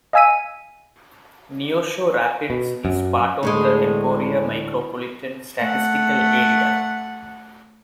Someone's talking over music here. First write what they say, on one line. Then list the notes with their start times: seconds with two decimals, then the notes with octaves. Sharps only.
Neosho Rapids is part of the Emporia Micropolitan Statistical Area.
0.13 D#5 F5 G#5 E6 B6 D#7
2.50 B2
2.85 F#2
3.43 D2 A2 G#3
5.58 A3 F#5